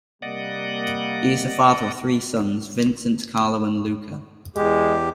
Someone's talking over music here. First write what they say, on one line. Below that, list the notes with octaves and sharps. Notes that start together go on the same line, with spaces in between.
He is the father of three sons, Vincent, Carlo, and Luca.
C3 G3 A#3 D5 D#5 F#5
E2 G#3 G4